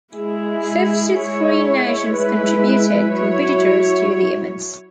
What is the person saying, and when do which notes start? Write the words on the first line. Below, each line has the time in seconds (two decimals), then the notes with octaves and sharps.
Fifty-three nations contributed competitors to the events.
0.14 G#3 E4 G#4
1.13 G#3 E4 C#5
2.12 G#3 E4 B4
3.12 F#3 E4 C#5